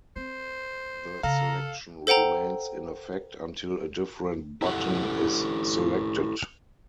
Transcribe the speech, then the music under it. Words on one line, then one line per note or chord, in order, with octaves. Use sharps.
The selection remains in effect until a different button is selected.
C4 C5
C#3 A4 F5 A#5
A4 C5 F#5 G5 A#5
E4 G4 A4 F#5